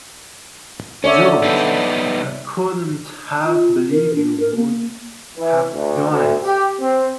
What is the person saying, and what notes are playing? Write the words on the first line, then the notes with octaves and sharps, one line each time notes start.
George, I couldn't have believed you would have done it!
D3 C#4 C#5 D5 E5
G3 B3 D#4
F4
A#4
D4
A#4
A#3
E3
D2
D2
G4
C4